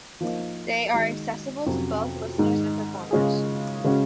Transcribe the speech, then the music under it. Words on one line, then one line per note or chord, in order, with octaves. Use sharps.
They are accessible to both listeners and performers.
F3 A#3 D#4
D#3 G#3 D#4 F#4
F2 C3 F#3 C#4
G#2 D#3 G#3 D#4
C#3 G#3 C#4 F4 G#4
C#3 G#3 C#4 F#4